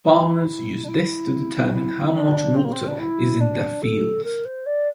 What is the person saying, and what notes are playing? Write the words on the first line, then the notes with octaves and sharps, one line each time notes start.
Farmers use this to determine how much water is in their fields.
E4
D4
E4
E4
C4
D4
C4
A#3
C4
D4
E4
D4
A4
A#4
C5
D5